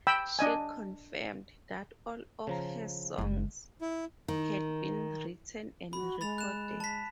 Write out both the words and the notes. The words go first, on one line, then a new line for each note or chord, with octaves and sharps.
She confirmed that all of her songs had been written and recorded.
G5 B5 E6
D4 D#5 G#5
C#3 F3 A#5
F#1 G#3
E4
D#3
F#4 B5
G#3 B5 A6 F7
F#6 E7
A5 B6